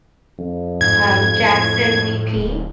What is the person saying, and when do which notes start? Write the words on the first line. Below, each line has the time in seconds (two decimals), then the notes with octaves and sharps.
um, Jackson VP.
0.38 F2
0.81 G#2 G#6
1.42 A2
2.36 D1